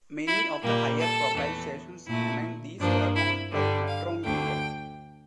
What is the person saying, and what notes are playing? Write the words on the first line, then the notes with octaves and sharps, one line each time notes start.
Many of the higher-profile stations among these were owned by Metromedia.
E4
A#2 G3 A#3
A4
E2 E3 A3
A#2 A3 E4
G2 F3 A#3 D4
E4
G2 D3 G3
F5
D2 D3 A3 G5